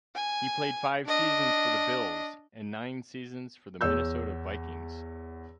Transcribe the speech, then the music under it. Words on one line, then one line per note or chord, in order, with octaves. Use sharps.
He played five seasons for the Bills and nine seasons for the Minnesota Vikings.
G#5
D4 D#5
E2 C#5 E6 G6